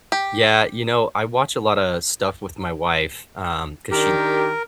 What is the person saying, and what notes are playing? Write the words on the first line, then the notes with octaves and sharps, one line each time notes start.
Yeah, you know, I watch a lotta stuff with my wife, um, 'cause she,
G4
D#3 D4 G4 A#4